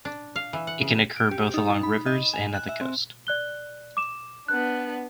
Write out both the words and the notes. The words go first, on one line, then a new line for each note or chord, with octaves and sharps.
It can occur both along rivers and at the coast.
D4
F5
E3
F#5
C#3
D7
G4
D#4
D#4
B5
D#5
E7
G#5
F#6
E5
C4
D5 F#6 G7
D6 E7
B3 D4 F#6